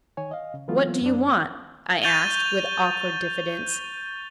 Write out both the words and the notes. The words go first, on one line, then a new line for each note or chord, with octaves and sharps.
"What do you want?" I asked, with awkward diffidence.
D#3 C#5 G#5
D#5 F5
C#3
E3 F#3 A3 B3 F4
F#2 C4 D4
C#6 G6 A6 D#7 F7 G7